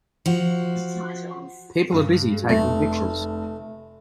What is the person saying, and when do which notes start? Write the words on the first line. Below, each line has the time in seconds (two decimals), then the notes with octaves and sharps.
People are busy taking pictures.
0.26 F3 F#4
1.92 G2
2.49 F1 A3